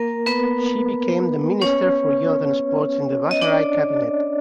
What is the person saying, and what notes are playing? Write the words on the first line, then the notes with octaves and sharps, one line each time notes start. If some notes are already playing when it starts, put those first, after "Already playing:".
She became the Minister for Youth and Sports in the Bhattarai cabinet.
Already playing: A#3 A#4
B3 B4
C#4 C#5
D#5
D4 D5